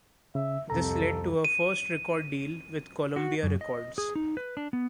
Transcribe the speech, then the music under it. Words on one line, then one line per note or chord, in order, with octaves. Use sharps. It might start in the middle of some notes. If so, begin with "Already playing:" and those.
This led to her first record deal with Columbia Records.
C#3 E5
C2 F2 C3 A4 A#5
D#7
F#4
F#2
D#5
G#4
D#4
B4
D4
B3